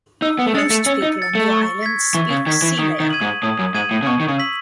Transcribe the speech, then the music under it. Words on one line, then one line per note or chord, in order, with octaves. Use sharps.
Most people on the island speak Selayar.
D#4 E6
B3
A3
G#3 A6 C#7
A3
C#4 E6
D#4
A6 C#7
A3
C#6
G#6 B6
E3 C#6
C#3
D#3 G#6 B6
E3
D#3 D#6
D#3
G#6 D#7 F#7
G#2
A2 D#6
F#2
G#2 G#6 D#7 F#7
A2
C#3
B2 C#6
D#3
C#3
E6 B6 F#7